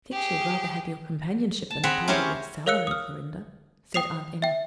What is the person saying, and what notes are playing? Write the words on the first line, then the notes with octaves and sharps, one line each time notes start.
"I think she would rather have your companionship than a part of your salary, Clorinda," said Aunt Emmy.
G4 G#4
A5
C4 G#4 F#5 A#5 B5
C#4 E4 G4 A#4 C5 C#5
A#4 C#5 F5 E6 F#6 C#7
D#6 F6
G5 D#6 C7 F7
E5 G5